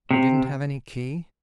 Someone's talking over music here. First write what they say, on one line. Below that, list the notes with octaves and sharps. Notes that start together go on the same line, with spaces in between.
"You didn't have any key?"
C3